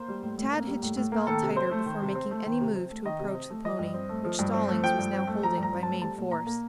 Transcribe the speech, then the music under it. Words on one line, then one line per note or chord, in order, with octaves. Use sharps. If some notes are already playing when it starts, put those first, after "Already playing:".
Tad hitched his belt tighter before making any move to approach the pony, which Stallings was now holding by main force.
Already playing: A#3 C5
G3
A2
A2
A#3
G3
A2
A2
A#3
D#3 A4
C3
C4 C5
A3
D#3
C3
C4
A3
D#3
C3
C4
A3
D#3 D#5
C3
C4
A3
F3 D#5
G2
C4
A3
F3
G2
C4
A3
F3 G5
G2
C4
A3
F3 A#5
G2 A#5
C4
A3 A5
G3 A5
A#2
A#2 A#5
A#3